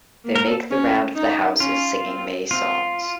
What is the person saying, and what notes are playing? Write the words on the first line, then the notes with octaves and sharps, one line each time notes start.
They make the round of the houses singing May songs.
A#3
A#4
A4
C#4
D#4
C#4 F4
C4
C4 F4